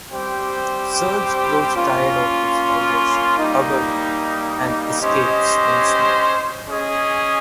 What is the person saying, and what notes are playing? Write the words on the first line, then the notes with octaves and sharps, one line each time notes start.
Serge grows tired of this diversion, however, and escapes once more.
G3 C4 G4 C5 G5
A#3 C#4 F4
G3 A#3 D#4
C#4 G4 C5 D#5
C#4 G#4 D#5